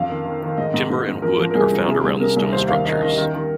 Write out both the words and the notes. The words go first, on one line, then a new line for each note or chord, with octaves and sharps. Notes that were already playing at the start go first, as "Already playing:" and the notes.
Timber and wood are found around the stone structures.
Already playing: F2 F5
D#3
D#3
D#3
G#2 D#5
G#2
G#2
G#2
F3 A#4
F3
A#4
C2 G#4
F3
C3 G#4
C2
C3 A#4
C2
D#2 C5
D#3 F5
D#3 D#5
D#3 D#5
D#3 A#4
D#3